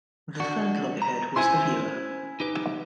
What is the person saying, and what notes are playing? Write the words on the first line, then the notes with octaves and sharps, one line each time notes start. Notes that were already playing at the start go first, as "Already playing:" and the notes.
The third loggerhead was the viewer.
D4 F#4
A#5
C#4 E4 C5 G#5 C6 E6
D#4 G4 B4